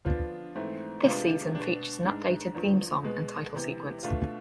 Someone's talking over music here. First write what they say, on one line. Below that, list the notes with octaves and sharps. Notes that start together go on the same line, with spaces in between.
This season features an updated theme song and title sequence.
D3 F3 B3 D4 F4
G#2 E3 A3 C4
C3 G#3 B3 D4 F4
B2 B3 D4
G#2 G#3 D4
E2 D3 F3
B2 G#3 B3
C3 E3 B3
B2 A3 D4 F4